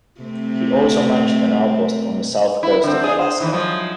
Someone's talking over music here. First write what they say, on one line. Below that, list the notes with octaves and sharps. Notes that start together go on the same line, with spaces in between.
He also managed an outpost on the south coast of Alaska.
C3 A3 C4
E4
D3 C4
D4 G#4
C5
D#3 E3 A#3
F3 F#3 G#3